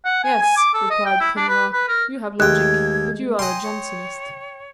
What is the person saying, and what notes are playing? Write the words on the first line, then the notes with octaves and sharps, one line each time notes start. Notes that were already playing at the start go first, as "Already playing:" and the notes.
"Yes," replied Conrart, "you have logic, but you are a Jansenist."
F#5
G#5
G#5
D6
A4
D#5
G5
E4
D4
B4
B4
A#4
D#2 G#3 A3 G5 F#6 G#6
D#5 G5 G#5 C6
C#5